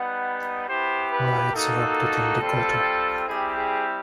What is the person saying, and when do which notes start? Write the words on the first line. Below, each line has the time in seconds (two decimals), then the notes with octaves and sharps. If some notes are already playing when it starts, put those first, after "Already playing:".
Riots erupted in Decoto.
Already playing: G3 B3 D#4 F#5
0.67 B3 E4 G4 C5
1.10 B4
1.53 A#3 D#4 F#4 A4
2.40 G3 C4 F4
3.27 G3 C4 E4 G4 G#4
3.55 G#4